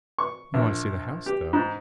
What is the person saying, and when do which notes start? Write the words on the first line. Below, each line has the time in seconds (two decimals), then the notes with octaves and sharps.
"You want to see the house, though?"
0.18 C#6
0.54 A#1
1.26 G4
1.53 G#2